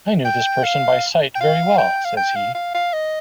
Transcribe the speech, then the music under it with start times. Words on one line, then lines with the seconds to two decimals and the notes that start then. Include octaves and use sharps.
"I knew this person by sight very well," says he.
0.25 G5
0.64 F5
1.35 G5
1.40 F5
1.78 G5
2.04 F5
2.17 G5
2.35 F5
2.54 F5
2.74 F5
2.93 D#5